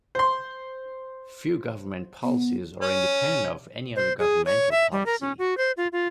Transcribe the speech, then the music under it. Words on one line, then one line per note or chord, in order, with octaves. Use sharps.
Few government policies are independent of any other governmental policy.
C5 C6
B3
C#4
C5
G#4
C#5
E5
G3
A#4
C#4
F#4
C5
F4
F4